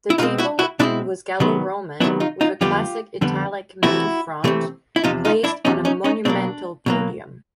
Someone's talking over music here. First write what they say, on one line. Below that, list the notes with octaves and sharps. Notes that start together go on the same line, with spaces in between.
The temple was Gallo-Roman with a classic-Italic main front placed on a monumental podium.
E4
B2 G#3 C4 D#4 F4
E4 F#4
E4 F#4
B2 G#3 C4 D4 E4
C3 D#3 F#3 B3
C3 D#3 F#3 B3 D4 E4
D#4 F4
D#4 F4
F2 D3 G3 B3 F4 G4
F2 D3 G3 B3
C3 E3 A3 C4 E4 F#4
C3 E3 A3 C4
E4
E2 C3 F3 D#4 F4
D#4 F4
D4 E4
E2 C3 F3 C#4 D#4
C#4 D#4
C#4 D#4
B2 F#3 A#3 C4 D4
B2 F#3 A#3